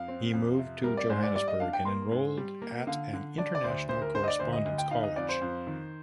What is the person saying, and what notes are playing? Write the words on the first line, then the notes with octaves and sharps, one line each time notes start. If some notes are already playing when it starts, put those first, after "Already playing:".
He moved to Johannesburg and enrolled at an international Correspondence College.
Already playing: F2 F5
C4
F2
C3
G3 A#4
D5
G#2 C5
D5
G3 D5
D#5
D4 F5
G5
A#3 C6
G#2
G3
A#3
D3 F5
D3
D4 D5
D5
D2 C5
D2 C5
A#4
D3 C5
D#5
D5
D2 C5
D#5
D2 D#5
G5
D#4 F5
D#5
F2 D5
C5
F2
D#3